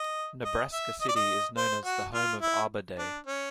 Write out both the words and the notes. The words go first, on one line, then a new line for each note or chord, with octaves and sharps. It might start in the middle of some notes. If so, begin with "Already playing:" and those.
Nebraska City is known as "The Home of Arbor Day".
Already playing: D#5
D#5
E5
D#5
D5
D#5
C5
F#4
F4
E4
D4
C#4